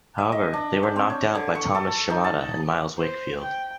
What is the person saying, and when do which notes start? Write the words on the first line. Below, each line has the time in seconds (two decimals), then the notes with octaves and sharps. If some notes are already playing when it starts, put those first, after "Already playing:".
However they were knocked out by Thomas Shimada and Myles Wakefield.
0.18 E5
0.32 D#5
0.53 D4
0.83 C5
0.96 C4
1.10 C#5
1.35 D3
1.55 C#6
1.75 A4
2.10 D#4
2.24 A5
2.97 C5
3.41 G5